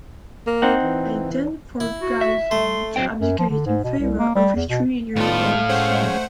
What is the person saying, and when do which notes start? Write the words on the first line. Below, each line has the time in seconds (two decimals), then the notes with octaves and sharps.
They then forced Gaozong to abdicate in favor of his three year old son.
0.47 A#3
0.62 C4 D#4 F#5
0.83 E3
1.80 E4
2.01 F#4
2.21 E5
2.51 A3 C6
2.96 F#3 C4 C5 G5
3.21 F#2
3.39 F3
3.50 D3
3.66 G#2
3.84 B2
3.99 C2
4.19 A#3
4.35 G3
4.56 E2
4.70 B2
5.16 A2 D#3 G3 B3 F4 A4 F5
5.69 G#3 A3 C#4 C5 F#5